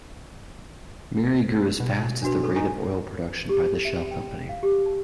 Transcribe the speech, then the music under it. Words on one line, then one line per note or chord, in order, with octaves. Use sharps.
Miri grew as fast as the rate of oil production by the Shell company.
B2
D4 F#4 B4
A4 B4 C#6
D#4 G#5 C#6
G4
E5
G5
F5
G4
A5